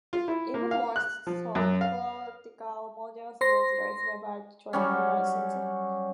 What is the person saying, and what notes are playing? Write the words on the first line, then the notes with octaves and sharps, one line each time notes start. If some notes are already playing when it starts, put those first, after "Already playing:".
Even more sophisticated models use reversible Turing machines.
F4
E4
A#3
F5
F#6
F3
F#2
F5
C5 C6 A#6
F#3 G3 C#4